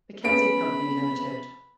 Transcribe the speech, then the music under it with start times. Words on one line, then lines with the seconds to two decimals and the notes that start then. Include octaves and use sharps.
McKenzie Company, Limited.
0.25 B3 C#4 G#4 B4 B5 D7